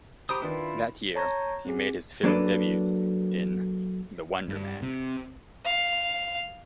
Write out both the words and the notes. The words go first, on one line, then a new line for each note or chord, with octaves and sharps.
That year he made his film debut in "The Wonder Man".
G4 C5 A#5 B5 D#6 D7
D#3 D4 E4 F4 B4
C#5 A5 A#5 C#6 G#6 A#6
C4 G#4
F#3 A#3 D4 A4 B4
G2
C3
F5